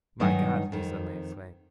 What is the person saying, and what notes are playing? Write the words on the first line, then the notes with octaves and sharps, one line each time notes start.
'My God!' he suddenly exclaimed.
G2 D#3 F#3 D#4 F#5 G#5
F2 D#3